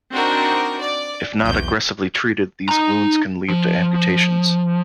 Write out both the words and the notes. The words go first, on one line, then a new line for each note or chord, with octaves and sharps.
If not aggressively treated, these wounds can lead to amputations.
C4 D4 D#4 F#4 A#4
D5
B1 E2 G6
D#4 A#5
F3